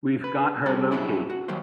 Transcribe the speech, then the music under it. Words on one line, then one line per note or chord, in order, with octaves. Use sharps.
We've got her located.
B4
G3 C#4 G#4 A4
F#3 C#4 D4 E4 G#4
F#4
D#3 F#3 G3 A#3 C5